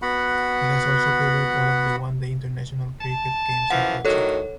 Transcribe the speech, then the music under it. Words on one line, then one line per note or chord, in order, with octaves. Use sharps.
He has also covered all of the One Day International cricket games in Kochi.
B3 F#4 F#5 B5
A5
F#2 E3 F3 F#5
A2 D#3 F#3 A4 C#5